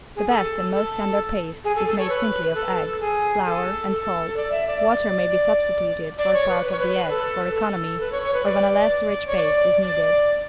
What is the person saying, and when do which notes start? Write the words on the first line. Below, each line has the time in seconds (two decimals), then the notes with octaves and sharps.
The best and most tender paste is made simply of eggs, flour and salt, water may be substituted for part of the eggs, for economy, or when a less rich paste is needed.
0.16 G#4
0.28 A4
0.74 A4
1.64 G#4
1.75 A4
1.87 A4
1.99 C#5
2.09 B4
2.55 A4
3.01 G#4
3.46 A4
3.91 A4
4.37 D5
4.51 E5
4.67 D5
4.82 D5
6.18 D5
6.33 C#5
6.49 B4
6.64 B4
6.71 C#5
6.79 B4
7.10 A4
7.55 A4
8.00 B4
8.12 C#5
8.23 C#5
8.34 B4
8.45 D5
9.27 C#5
9.37 D5
9.82 D5